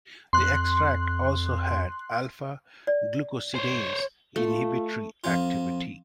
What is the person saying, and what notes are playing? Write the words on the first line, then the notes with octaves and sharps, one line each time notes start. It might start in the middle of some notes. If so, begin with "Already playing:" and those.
The extract also had alpha-glucosidase inhibitory activity.
F2 C6 F#6
D5
C5 C#5
A3 F4
F2 F4